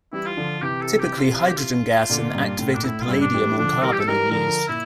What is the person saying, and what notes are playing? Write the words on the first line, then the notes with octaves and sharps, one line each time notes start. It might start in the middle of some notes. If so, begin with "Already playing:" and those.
Typically hydrogen gas and activated palladium on carbon are used.
E3 G3 E4
F4
D3 F3
C3 E3 G4
A4
G4
F4
F4
G4
F4
A#2 D3
G2 A#2
A2
A#2 D4
A2 E4
F4
G2 A#2 E4
D4
E3 G3
D3 F3 D4
E3 G3 A#4
G4
A4
E3 G3 A#4
D3 F3 A#4
A#2 E4